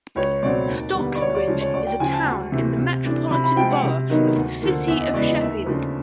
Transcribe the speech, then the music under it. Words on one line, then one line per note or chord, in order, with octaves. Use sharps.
Stocksbridge is a town in the metropolitan borough of the City of Sheffield.
C#2 C#5
B2 F#3 A3 C4 D5
D#2
D3 G3 B3
D5
D2 C#5
D5
C#3 F3 G#3
C#5
D2 D5
G5
C#3 F3 G#5
A5
D2
C3 E3 A3
C3
E3 A3 D4
C3 B5
B5
F3 G#3 G5
F#5
C3
D#3 F#3 B3 D#4
D2
D3 F3 A#3
E2 E5
D#5
C#3 E3 G#3 B3 D5
D#5
D#2 E5
C#3 F3 A3 D4